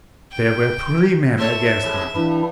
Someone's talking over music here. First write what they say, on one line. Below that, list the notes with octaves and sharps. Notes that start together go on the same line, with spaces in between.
There were three men against me.
G5
A4 C5 C#5 E5
D#2 B2 G#3
G2 E3 D4 E4